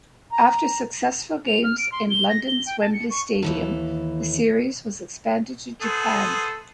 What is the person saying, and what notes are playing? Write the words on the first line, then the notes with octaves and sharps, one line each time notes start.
After successful games in London's Wembley Stadium, the series was expanded to Japan.
A#5
F7
F6
D7
C6
G7
A#6
G7
G5
A5
C#7
C#6
D#2 E3 A4
B3 G#4 A4 C5